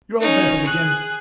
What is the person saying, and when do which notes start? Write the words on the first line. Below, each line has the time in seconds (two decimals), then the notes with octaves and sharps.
Your old method again.
0.21 C#4 D#4
0.66 G#4 F#6